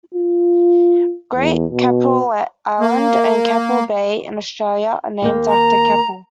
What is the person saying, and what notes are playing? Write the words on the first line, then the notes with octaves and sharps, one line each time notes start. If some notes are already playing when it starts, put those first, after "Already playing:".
Great Keppel Island and Keppel Bay in Australia are named after Keppel.
F4
E2
B2
A#3
D#2 A#3 G5
A#5